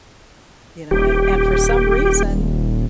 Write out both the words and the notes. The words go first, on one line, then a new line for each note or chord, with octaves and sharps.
you know. And and for some reason,
D#1 G4